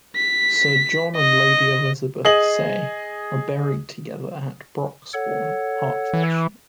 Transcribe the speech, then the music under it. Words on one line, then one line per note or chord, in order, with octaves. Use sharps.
Sir John and Lady Elizabeth Say are buried together at Broxbourne, Hertfordshire.
B6
D#5
G#4 D#5 F#7
A4 C#5 F#5
E3